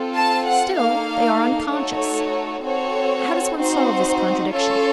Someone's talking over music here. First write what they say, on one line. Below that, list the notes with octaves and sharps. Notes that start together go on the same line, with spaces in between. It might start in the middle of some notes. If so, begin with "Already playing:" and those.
Still they are unconscious; how does one solve this contradiction?
Already playing: C4 F4 A4
A5
F#5
A#3 D#4 A4 F5
A3 D#4 F#4 A4 C#5
C4 F#4 A4 C#5
C4 D#4 F#4 C5
C#4 F4 A4 C#5